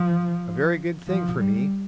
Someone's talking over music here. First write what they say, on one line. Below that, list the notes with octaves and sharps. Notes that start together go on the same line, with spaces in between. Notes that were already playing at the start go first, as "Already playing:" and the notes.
A very good thing for me.
Already playing: F3
F3
G3